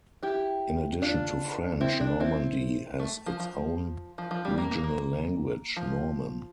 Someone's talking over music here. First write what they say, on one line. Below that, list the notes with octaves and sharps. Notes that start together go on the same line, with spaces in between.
In addition to French, Normandy has its own regional language, Norman.
E4 G4
D4 F4
C4 E4
D4
C4 E4
A3
F3
F3
F3
F3
G3
A#3
A#3
A#3
F3